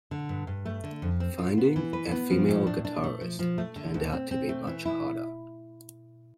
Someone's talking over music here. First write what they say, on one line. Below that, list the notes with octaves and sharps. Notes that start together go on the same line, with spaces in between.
Finding a female guitarist turned out to be much harder.
D3
G2
G2
A3
D3
F2
C4
F4
B3
E3
B4
B3
F3
A2
D4
D4
A3
F3
F3
A3
D3
D2
C4
C4
A3
E3
E4